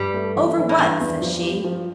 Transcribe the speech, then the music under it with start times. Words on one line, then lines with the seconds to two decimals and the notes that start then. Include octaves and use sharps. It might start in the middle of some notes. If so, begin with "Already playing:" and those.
'Over what?' says she.
Already playing: G2 G3
0.14 A3
0.36 E3
0.58 E3
0.69 A2
0.78 G2 E3
1.00 E2
1.22 F3
1.43 G4
1.64 F3